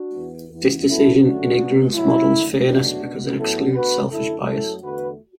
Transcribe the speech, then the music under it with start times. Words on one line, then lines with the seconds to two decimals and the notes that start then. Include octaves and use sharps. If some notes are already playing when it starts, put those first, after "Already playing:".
This decision-in-ignorance models fairness because it excludes selfish bias.
Already playing: D4 F#4
0.15 E2 E3 B3
0.51 E2 E3 B3
0.87 B2 F#3 B3 E4 A4
1.23 D2 D3 F#3 A3 D4 F#4
1.58 B2 B3
1.94 A2 F#3 B3 E4
2.31 F#2 D3 A3
2.67 E2 B2 F#3 A3 D4 F#4
3.03 B2 B3
3.38 A2 F#3 B3 E4 A4
3.74 D2 D3 B3 F#4 B4
4.10 F#2 D3 A3 E4 A4
4.46 F#2 F#3 A3 E4 A4
4.82 E2 D3 A3 F#4 B4